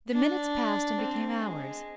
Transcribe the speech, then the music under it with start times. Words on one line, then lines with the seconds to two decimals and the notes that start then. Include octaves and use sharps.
The minutes passed and became hours.
0.13 D4
0.98 C4
1.41 G#3